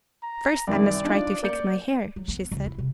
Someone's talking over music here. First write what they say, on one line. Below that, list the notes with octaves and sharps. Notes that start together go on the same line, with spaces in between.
"First I must try to fix my hair," she said.
A#5
C2 F#2 D#3 D5
D4 D#4 F4
A#3 D5 G6 C#7
F#3
B3
C#2
E4
C3